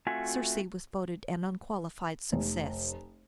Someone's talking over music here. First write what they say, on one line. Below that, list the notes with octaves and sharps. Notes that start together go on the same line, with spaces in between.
"Circe" was voted an unqualified success.
A3 C4 F4 F#4 E5 G#5
F1